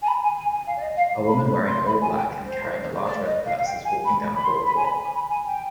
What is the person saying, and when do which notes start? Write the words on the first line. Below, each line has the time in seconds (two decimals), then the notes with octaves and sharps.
A woman wearing all black and carrying a large red purse is walking down a boardwalk.
0.02 G#5
0.07 B5
0.23 G#5
0.37 G#5
0.52 G#5
0.66 F5
0.76 D5
0.81 D#5
0.97 F5
1.27 B5
1.46 B5
1.67 C6
1.86 B5
2.01 G#5
2.16 G5
2.46 C5
3.06 D5
3.25 D#5
3.45 F5
3.56 F5
3.65 G5
3.85 G#5
4.05 B5
4.34 B5
4.44 C6
4.65 B5
4.76 G#5
4.84 B5
4.99 G#5
5.15 B5
5.29 G#5
5.45 G5